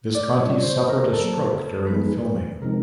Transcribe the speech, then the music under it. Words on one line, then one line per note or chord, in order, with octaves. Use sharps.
Visconti suffered a stroke during filming.
D5
B2 G3 C4 F4 C#5
C5
A#4
A#2 F#3 A#3 A4
B4
F3 G#3 B3 D#4 G#4 B4
C3 F3 G#3 C4 D#4 A#4